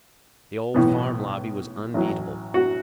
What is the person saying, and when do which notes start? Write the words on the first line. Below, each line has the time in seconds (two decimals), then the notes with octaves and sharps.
The old Farm Lobby was unbeatable.
0.74 B1 A2 E3 B3
1.94 A1 A2 F#3
2.54 F#4